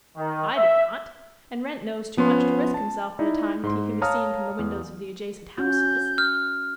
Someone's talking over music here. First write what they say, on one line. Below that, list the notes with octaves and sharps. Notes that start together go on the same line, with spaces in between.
I did not, and Wrent knows too much to risk himself at a time that he can be seen from the windows of the adjacent houses.
D#3
E5
F3 B3 C#4 C6
A5
D#4 E4 D5
G#2 C6
C#5 F5 A5 A#5 D#6 F6
E2
C#4 F#4 G6
F6